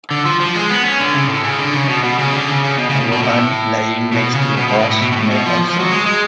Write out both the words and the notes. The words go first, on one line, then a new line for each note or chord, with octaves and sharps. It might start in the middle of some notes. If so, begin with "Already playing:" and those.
A woman lying next to a horse made of sand.
D3
F3
F3
G#3
B3
C#4
D3
C#3
A2
C#3
D3
C#3
B2
B2
C#3
D3
C#3
C#3
B2
C#3
B2
B2
A2
B2
C#3
B2
B2
A2
A2
B2
B2
A2
B2
F3
F3
F#3
G#3
G#3